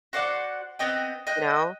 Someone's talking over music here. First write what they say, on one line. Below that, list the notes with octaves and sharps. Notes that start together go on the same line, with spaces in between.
you know?
F#4 C5 D5 F#5
B3 C4 D#5 G5
D#5 G5 F#6 G6